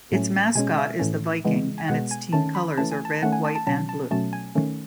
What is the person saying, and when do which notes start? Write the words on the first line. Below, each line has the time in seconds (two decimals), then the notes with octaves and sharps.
Its mascot is the Viking, and its team colors are red, white and blue.
0.11 A2 F#3 A3 C#4
0.55 B2 G#3 C#4 G#5
0.78 E5
0.99 A2 E3 A3 C#4
1.45 C#3 E3 G#3 B3
1.78 G#5
1.88 B2 G#3 B3 F#5
2.11 G#5
2.33 D#3 A3 C#4 A5
2.55 B5
2.77 E3 A3 C#4 A5
2.91 G#5
3.05 A5
3.22 D#3 A3 C#4 F#5
3.32 G#5
3.45 A5
3.55 A5
3.67 B2 F#3 C#4 A5
3.89 A5
4.11 B2 F#3 A3 C#4 A5
4.33 G#5
4.55 D#3 A3 C#4